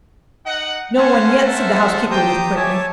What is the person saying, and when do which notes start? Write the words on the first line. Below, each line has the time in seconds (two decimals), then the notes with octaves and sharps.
"No one yet," said the housekeeper, with quickness.
0.46 D#4 D#5 F#5
0.97 C#4 C5 F#5 A5
1.46 A4 A#4 E5
2.11 G4 C5 G5 A#5 D#6
2.56 C#5 E5 G#5 A5 D6